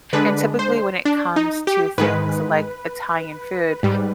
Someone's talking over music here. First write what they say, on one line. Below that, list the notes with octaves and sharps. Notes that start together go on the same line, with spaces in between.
and, typically, when it comes to things like Italian food,
D3 G#3 D4 B4
C5
D4
D#4
G4
G#2 D#3 G#3 B4
G#2 G3